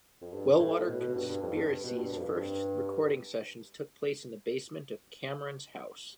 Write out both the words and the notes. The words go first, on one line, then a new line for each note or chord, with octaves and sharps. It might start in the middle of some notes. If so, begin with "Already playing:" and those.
Wellwater Conspiracy's first recording sessions took place in the basement of Cameron's house.
F2
G2
A2
A2
B2
B2
G2
G2
F2
G2
B2
G2
G2
F2
G2